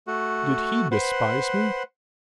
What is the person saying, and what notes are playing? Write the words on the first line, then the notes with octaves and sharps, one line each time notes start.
Did he despise me?
A3 F#4
B4 C5 F#5